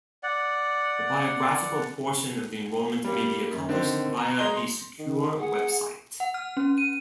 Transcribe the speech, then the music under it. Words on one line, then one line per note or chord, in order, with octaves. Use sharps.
The biographical portion of the enrollment may be accomplished via a secure web site.
D5 F#5
G3 A#3
F#2
D3 D#3 C4
A#5
G#3 D#5 A#5 C6 G7
C6
D#3
G#4 F#5
F#5
F6
C#4
D#7